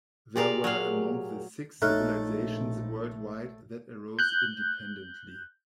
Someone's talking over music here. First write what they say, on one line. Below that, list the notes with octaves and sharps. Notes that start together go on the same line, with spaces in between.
These were among the six civilizations worldwide that arose independently.
A#2 G4 G#4 A#4 D5 F5
F#3 F5
A#1 A3 D#4 A4 C#5 F6 F#6
F#6 G6